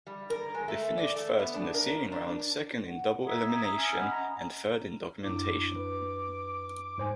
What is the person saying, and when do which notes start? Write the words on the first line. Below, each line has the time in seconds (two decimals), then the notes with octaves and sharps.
They finished first in the seeding round, second in double-elimination, and third in documentation.
0.07 G3
0.30 A#4
0.55 G#3
0.68 A3
0.98 D5
1.16 A3
1.39 B3
1.54 D4
1.74 A#4
2.12 D4
2.87 F#5
3.27 E5 A#5 D#6 G#6
3.76 C#4
3.95 D#5 F#5 B5
4.12 A#5
5.22 F#2 D4 E4 D6
5.76 B4
6.98 G#2 C5 G#5